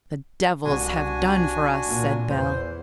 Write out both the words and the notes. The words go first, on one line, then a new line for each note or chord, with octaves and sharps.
"The devils have done for us!" said Bell.
C2 D4 F#4 G#5
A#2
E2 C5